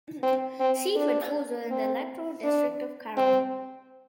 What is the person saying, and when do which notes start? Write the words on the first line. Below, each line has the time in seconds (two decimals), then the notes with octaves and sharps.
Seaford falls within the Electoral district of Carrum.
0.23 C4
0.60 C4
0.96 D4
1.71 C4
2.44 D4
3.17 C4